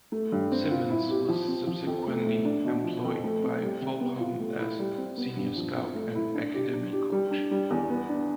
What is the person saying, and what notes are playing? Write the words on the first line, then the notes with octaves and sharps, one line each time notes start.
Symons was subsequently employed by Fulham as Senior Scout and Academy Coach.
A3
G2
C4
F4
E4
G4
F3
C4
F3
F2
A3
A2
D4
B2
F3
F2
A3
C4
G3
C3
B3
F4
A3
E4
G3
C4
B3
G2
F3
C4
A3
E4
D4
G4
D4
G4
G3
D4
G3
E2
B3
D4